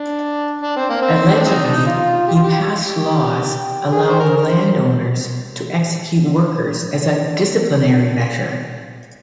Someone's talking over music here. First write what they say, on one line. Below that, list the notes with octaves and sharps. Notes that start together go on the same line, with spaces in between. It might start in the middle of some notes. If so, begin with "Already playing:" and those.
Allegedly, he passed laws allowing landowners to execute workers as a "disciplinary" measure.
Already playing: D4
D4
C4
A#3
C4
D4
G#3 C4 D#4
D4
D#4
F4
G4
F4
G4
G#4
C5
A#4
A#4
C5